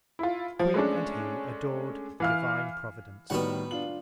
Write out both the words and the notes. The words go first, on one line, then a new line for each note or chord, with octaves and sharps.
The Queen and He ador'd the Divine Providence.
E4 F4
F3
G#3 A3 C#4 D4
E3 F5 F6
A2 D#3 G3 B3 F#4 F#5
D4 F4 F#7